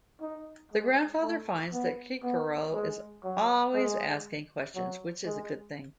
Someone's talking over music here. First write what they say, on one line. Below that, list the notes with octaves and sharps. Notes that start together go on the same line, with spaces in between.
The grandfather finds that Kirikou is always asking questions, which is a good thing.
D#4
G#3
A3
B3
B3
G#3
F#3
G#3
F#3
G#3